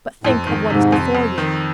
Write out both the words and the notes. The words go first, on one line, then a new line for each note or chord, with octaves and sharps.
"But think of what is before you."
F2 A2
G#2 D#3
G#2 C3
F2
F2
D#3